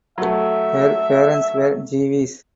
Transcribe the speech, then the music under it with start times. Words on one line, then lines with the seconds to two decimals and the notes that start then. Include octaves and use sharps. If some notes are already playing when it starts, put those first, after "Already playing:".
Her parents were Jewish.
0.18 F#3 A3 E5